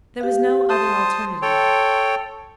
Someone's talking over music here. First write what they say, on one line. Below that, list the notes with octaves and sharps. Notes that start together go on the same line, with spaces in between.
There was no other alternative.
G4 F5
C5 A5 C6 D#6
A4 C#5 G5